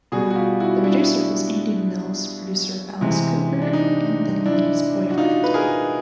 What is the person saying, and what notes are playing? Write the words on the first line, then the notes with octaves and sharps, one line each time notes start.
The producer was Andy Mills, producer of Alice Cooper and then Lee's boyfriend.
B2 G3 F#4 G#4
F#4
F4 G4
E4 F#4
D4 E4
C3 E3 G#3
D4
D#4
D4 E4
F#4
D#4 F4
B4
G#4 A#4